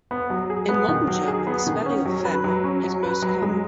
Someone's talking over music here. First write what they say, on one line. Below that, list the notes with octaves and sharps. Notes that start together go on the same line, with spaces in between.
In Modern German, the spelling of "Feme" is most common.
B3
F#3
G#4
B3
D#3
F#3
G#4
B3
D#3
C#4
F#3
B4
F#3
C#4
F#3
B4
F#3
G#3